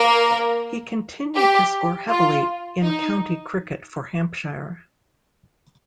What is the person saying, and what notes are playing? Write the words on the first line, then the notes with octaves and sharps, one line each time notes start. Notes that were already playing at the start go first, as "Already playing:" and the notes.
He continued to score heavily in county cricket for Hampshire.
Already playing: A#3 A#4
G4
F4
D#4